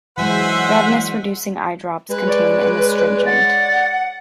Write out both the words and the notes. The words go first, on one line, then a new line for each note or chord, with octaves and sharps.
Redness-reducing eye drops contain an astringent.
E3 F#3 G#3 C5 E5 F#5 G#5 E6
G#3 B4
C#5 D5 D7
F#5 A6